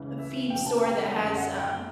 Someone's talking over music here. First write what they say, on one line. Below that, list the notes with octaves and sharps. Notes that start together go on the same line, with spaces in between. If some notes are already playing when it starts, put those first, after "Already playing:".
a feed store that has, um,
Already playing: C#2 C#3 E3
E5
C#2 B2 G5
A5
G5
G5
F#2 D3 A5
F#5
G5